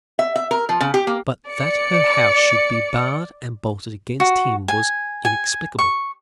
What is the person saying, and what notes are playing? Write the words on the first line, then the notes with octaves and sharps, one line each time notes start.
But that her house should be barred and bolted against him was inexplicable.
E5
E5
A#4
F3
C#3
G4
A#3
D5 C#7
F#4
G#5
G#5
C#6